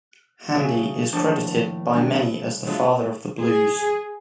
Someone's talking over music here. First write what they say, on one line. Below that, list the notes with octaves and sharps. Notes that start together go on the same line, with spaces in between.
Handy is credited by many as the father of the Blues.
C#3 F#3 A3 G#4
D#2 A2 F3 D4 C#5 A5
D#3 F#3 G#3 D4
C2
D3 F#3 G#3 A3 F4
G#4